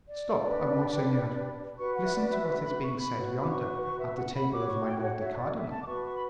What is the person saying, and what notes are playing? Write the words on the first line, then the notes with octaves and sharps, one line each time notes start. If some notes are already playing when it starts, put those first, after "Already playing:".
"Stop, monseigneur, listen to what is being said yonder, at the table of my lord the cardinal."
D5
D4 G4 B4
F#4 B4 C#6
F#5
E5
D5
E5
E5
B5
C#6
B5
F#4 B4
D6
C#6
C#6
E5
F#5
B5
F#4 C#5 D6
C#6
G5
G5
F#5
E5
C#5
D5
E5
A5
D6
F#4 B4 C#6
C#6
B5